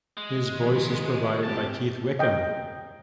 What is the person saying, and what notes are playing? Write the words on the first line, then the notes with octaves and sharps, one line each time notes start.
His voice is provided by Keith Wickham.
G#3
D#3 F3 B3
G#2 C4 G4 A5
D#5 G5